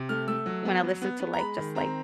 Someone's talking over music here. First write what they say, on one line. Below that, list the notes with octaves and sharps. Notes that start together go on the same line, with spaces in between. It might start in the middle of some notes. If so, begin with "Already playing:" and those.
when I listen to, like, just, like,
Already playing: C3
A3 F6
A3 E6
F#3
B3
F#3
B3
B3
A#5
G#3 B5
D#3
C4 A#5